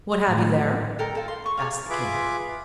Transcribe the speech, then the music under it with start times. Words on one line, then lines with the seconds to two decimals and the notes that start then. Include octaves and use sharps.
"What have you there?" asked the king.
0.24 A2
0.99 A4 A#4 G5 A#5
1.15 F4 A4
1.28 C6
1.46 C#6
1.57 G#4 C#5 D5 F5
1.90 F4 G#4 B4 E5 B5 D6